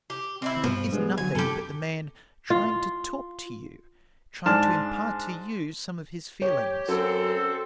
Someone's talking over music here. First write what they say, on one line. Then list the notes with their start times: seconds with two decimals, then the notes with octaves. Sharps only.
The book is nothing but the man trying to talk to you, trying to impart to you some of his feelings.
0.10 G4
0.42 C3 C4 D4 E4
0.64 G2 B2 F3
0.92 G2 G#3 B3
1.18 D3 F#3 G#5
1.35 E1 F#2 C3 G4 A4
2.50 F4
4.46 G#2 D4 A5 F6
6.42 G4 C#5
6.88 F#2 C4 A4